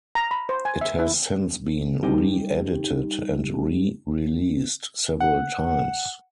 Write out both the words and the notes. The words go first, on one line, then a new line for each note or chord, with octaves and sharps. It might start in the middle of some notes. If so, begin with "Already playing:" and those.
It has since been re-edited and re-released several times.
A#5
B5
C5
G#5
E5
E4
G3 D#4 G4
F#5